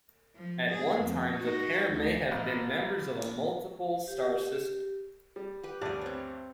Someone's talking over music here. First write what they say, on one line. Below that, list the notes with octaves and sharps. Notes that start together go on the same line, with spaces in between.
At one time the pair may have been members of a multiple star system.
F3
G#4
F2
D#4 F#4
D2 D#4
A1
G4
G3
G4 B4
D2 G2 G3 D5 G#5
C4 C#5